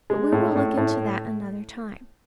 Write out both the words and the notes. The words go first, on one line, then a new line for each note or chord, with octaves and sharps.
But we will look into that another time.
G#3
A2
A2
A2